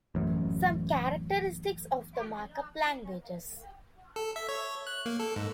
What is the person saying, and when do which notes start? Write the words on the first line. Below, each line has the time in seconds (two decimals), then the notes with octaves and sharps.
Some characteristics of the markup languages.
0.15 A1 F#2
4.16 A4
4.36 E5
4.49 C#5
4.87 F#6
5.06 A#3
5.19 A4
5.36 G#2